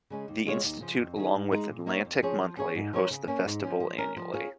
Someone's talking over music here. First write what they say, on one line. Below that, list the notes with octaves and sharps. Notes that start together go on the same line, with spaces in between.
The Institute, along with "Atlantic Monthly", hosts the festival annually.
C#3 G#3 C#4
D#2
C#3 G#3 F4 C#5
D#2
C#3 F3
F2
D#3 C#4 G#4
G#2
G#3 D#4
A#2
A#3 D#4 A#4 C#5
F2
F3 C#4 G#4 C#5
F3
C#4 G#4 C#5
G#2
F3 C#4 A#4 C#5
C#3
A#3 C#4
G#2
F3 C#4
F3
C#4 A#4
F3
C#4 F4 G#4 C#5